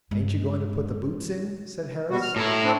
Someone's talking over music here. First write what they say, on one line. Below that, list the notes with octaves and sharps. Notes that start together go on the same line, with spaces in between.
"Ain't you going to put the boots in?" said Harris.
G2 G#3
B2 G3 F#4
F6
A2 E4 A#5
C4 D4